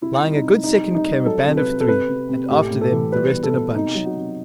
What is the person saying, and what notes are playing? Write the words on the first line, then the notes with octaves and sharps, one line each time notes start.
Lying a good second came a band of three, and after them the rest in a bunch.
C3 E4
G3
D#4
C3
G3 D#4
G3
D#4
G3
F#3 A4
C3
B4
C3
A4
C3 B4
C3
C3
A2 G4
A2
A4
E3
G3 B4
B2
A4
B2
C3 D#4
F#3
F#4
C3